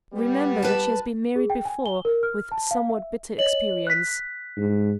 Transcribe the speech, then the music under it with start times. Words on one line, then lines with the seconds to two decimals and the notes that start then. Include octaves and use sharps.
Remember that she has been married before, with somewhat bitter experience.
0.13 G3 B3 G4
0.62 B4 A5
1.36 G#4
1.50 G5
1.65 G#5
1.86 G7
2.05 A#4
2.23 F6
2.52 A5
2.71 F5
2.90 E5
3.38 C#5 D#5 F#7
3.87 F#6 B6
4.57 G#2